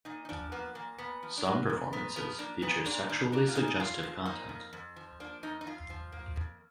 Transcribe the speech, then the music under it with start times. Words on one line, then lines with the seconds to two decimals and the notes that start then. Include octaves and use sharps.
Some performances feature sexually suggestive content.
0.05 A#2 D#4
0.25 D#4
0.29 F3 D4
0.52 A#3 B3
0.75 A#2 A#3
0.98 A#2 B3
1.23 F3
1.38 D4
1.46 A#3 B3
1.70 A#2
1.93 A#2 B3
2.16 F3 B3
2.39 A#3 D4
2.62 A#2 B3
2.86 A#2 D4
3.09 F3 D4
3.32 A#3 D4
3.49 F4
3.55 A#2 D#4
3.68 D#4
3.80 F2 F4
4.03 F3
4.25 A#3 D#4
4.49 F2
4.73 F2
4.96 F3
5.20 A#3 D4
5.43 F2 D#4
5.61 D#4
5.67 F2 F4
5.90 F3
6.12 A#3
6.36 F2